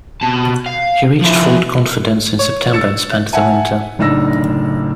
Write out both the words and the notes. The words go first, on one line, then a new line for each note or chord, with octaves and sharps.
He reached Fort Confidence in September and spent the winter.
B2 A5
F5
F3 E4
C#5
E6 A6 C#7 E7
E5 F#5 G#5 A5
F#1 A2 D4 D#4 E6 A#6